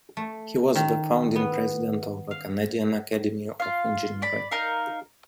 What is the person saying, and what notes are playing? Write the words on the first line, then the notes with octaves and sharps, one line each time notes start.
He was the founding President of the Canadian Academy of Engineering.
A3
D#3
B3
F5
F4 F5
D5 B5
D#4 A#4 F5